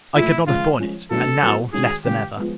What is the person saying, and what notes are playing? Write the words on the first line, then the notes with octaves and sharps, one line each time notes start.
I could not have borne it; and, now, less than ever.
A#2 F3 A3 E4
C#3 F3 G#3 F4
F3 G#3 C#4
B2 F#3 A3 D4 A4
F#3 B3 E4
D#3 G#3 C#4 F#4 G#4
C#3 E3 G#3 G4
F3 G#3 B3